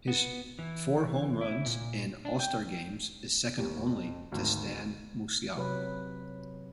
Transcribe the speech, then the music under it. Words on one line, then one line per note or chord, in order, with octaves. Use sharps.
His four home runs in All-Star games is second only to Stan Musial.
B3
E3
E4
A#2
D4
G5
D#2 G3
F2
G#1 D2
C3 F#3 B4